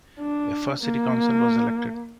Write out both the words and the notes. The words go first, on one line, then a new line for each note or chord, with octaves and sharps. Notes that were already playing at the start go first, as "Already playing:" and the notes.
A first City Council was elected.
D4
A#3